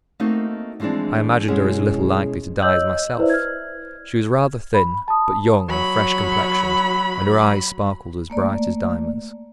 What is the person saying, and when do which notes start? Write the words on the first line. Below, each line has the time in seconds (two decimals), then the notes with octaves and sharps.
I imagined her as little likely to die as myself. She was rather thin, but young, and fresh-complexioned, and her eyes sparkled as bright as diamonds.
0.20 A3 A#3 C4 D#4 F#4 C5
0.80 E3 F3 G#3 C4 D4
1.48 B2 G#3 C#4 E4 G#4
2.62 C#5 D#5 E6 G6 F#7
3.18 E4 B4 C5 D5 E5
3.30 F6 G#6
4.74 B5
5.08 A5 D#6
5.68 F#3 B5
8.30 A3 A#3 D5